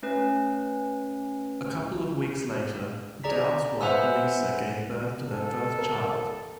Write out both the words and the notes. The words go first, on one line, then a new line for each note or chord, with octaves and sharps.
A couple of weeks later, Dowd's wife Lisa gave birth to their first child.
A3 C#4 B4
G#4 D5 A#5 B6
B4 C5 E5 F#5 G#5 E6
A4
A#4